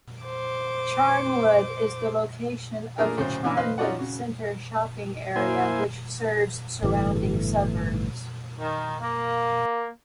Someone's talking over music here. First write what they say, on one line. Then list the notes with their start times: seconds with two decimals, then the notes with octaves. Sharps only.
Charnwood is the location of the Charnwood centre shopping area which serves surrounding suburbs.
0.22 C5 D6
2.98 A3 A#3 D4 F4 G#4 A#4
3.17 D2 A2 C#3 F#3 C5
3.44 C#3 E3 D4 G#5 B5 E6
3.57 B4 C5 D#5 F5 C6
3.78 C#4 D#4 F4 F#4 D5 F#5
3.99 C#3 F#4
5.36 A#3 E4 C5 G#5
6.83 G1 A2 E3 A3
8.59 D#3
9.00 A#3